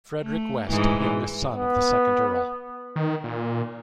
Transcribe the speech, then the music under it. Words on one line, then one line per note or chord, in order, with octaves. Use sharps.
Frederick West, youngest son of the second Earl.
A3
G#2 E3
B3
D#3
A#2